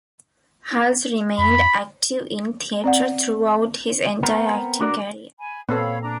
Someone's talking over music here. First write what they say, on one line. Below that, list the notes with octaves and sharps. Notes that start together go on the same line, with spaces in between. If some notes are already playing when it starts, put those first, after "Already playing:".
Hulce remained active in theater throughout his entire acting career.
F2 B5
C4 D5 F#5
B3 C4 A#4
D4 F#4 A#4 D5
G#5 B5
A#2 B3 C4 A4 C#5 F5 B5
D4 A#5